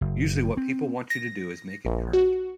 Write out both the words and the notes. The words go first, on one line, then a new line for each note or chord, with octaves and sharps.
Usually what people want you to do is make it current.
F#1
C4
A#6
A#1
F#4